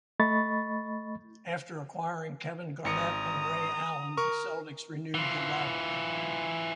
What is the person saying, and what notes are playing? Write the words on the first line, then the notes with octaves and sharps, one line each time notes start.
After acquiring Kevin Garnett and Ray Allen, the Celtics renewed the rivalry.
A3 D#5 B5 C#6 A6
G#1 A#5 D#6 C#7
A#4 C#6
E3 F4